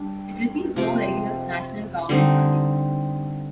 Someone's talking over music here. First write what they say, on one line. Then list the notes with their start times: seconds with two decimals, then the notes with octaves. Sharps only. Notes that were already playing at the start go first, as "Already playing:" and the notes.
It receives no regular national government funding.
Already playing: G3 D4
0.76 C3 F3 C4 G4
2.09 D3 G3 C4 D#4